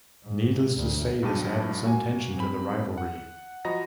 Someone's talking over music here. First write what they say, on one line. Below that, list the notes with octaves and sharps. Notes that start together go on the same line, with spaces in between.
Needless to say, this added some tension to the rivalry.
G#2
D2
B1 G2 B2 G4 A5 D#7
A#3 F#4 G#5
C4 B5
F#5
F3 F#4 D#5 A#5 B5 A#6